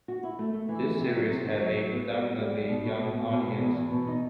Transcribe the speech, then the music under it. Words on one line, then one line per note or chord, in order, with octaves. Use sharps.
The series had a predominantly young audience.
F#4
E4
A3
A3
E3
E4
C3
F#3
C3
D#3
F#3
F#3
B3
G3
G3
G3
G3
B2
B2
B2
B2
B2
E2
E2
E2
B2
D#4